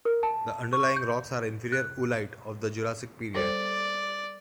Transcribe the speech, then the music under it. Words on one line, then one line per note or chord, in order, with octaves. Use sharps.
The underlying rocks are Inferior Oolite of the Jurassic period.
A#4
A5
C#6
G6
F#6
G3 A4 C5 D5